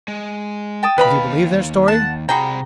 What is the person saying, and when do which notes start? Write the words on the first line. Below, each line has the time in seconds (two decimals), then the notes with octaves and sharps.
Did he believe their story?
0.08 G#3
0.83 G5 A5 D#6
0.98 D#2 B4 D#5 F5 B5
1.88 F#5 A5
2.29 C3 F#4 G#4 G5 A#5 B5